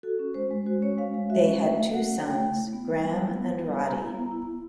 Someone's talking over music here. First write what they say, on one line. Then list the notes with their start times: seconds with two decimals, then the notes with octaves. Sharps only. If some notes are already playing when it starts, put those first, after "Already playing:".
They had two sons, Graham and Roddy.
0.03 F#4 A4
0.19 C#4
0.34 G#3 C5
0.51 G#3
0.66 F#4 C5
0.82 C#4 C#5
0.98 G#3 F5
1.14 G#3 F5
1.30 F#4 E5
1.45 C#4 D#5
1.62 A3 E5
1.78 A3 F5
1.93 F#4 F#5
2.10 C#4
2.24 A3 G5
2.41 A3
2.56 E4
2.73 B3
2.89 G3
3.04 G3
3.19 E4
3.36 B3
3.52 G3
3.67 G3
3.83 B3 A#5
3.99 E4
4.15 B3
4.31 E4
4.47 B3